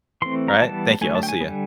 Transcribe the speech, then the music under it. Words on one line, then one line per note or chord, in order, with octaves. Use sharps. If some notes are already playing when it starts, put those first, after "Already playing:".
Right. Thank you, I'll see ya.
E3 A3 C4 C6
A#5
E3 G3 B3 A5
D3 F#3 A3 G#5
A5
G5
G#5
D3 G3 B3